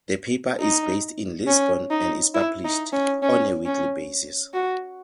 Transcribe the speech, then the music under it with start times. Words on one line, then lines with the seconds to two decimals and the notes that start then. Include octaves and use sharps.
The paper is based in Lisbon and is published on a weekly basis.
0.60 D#4
1.47 C#4
1.90 D#4
2.34 E4
2.64 D#4
2.92 C#4
3.22 C#4
3.66 C#4
4.54 F#4